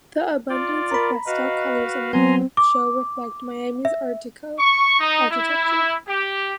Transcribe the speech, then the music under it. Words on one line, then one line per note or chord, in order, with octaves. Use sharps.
The abundance of pastel colors on the show reflected Miami's Art-deco architecture.
F4 D5
A#4 A#5 B5
F#4 B4 D#5 F5
F#3 B3 C4 G#5 A#5 C6
D6
E5
C#6
D#4
E4
G4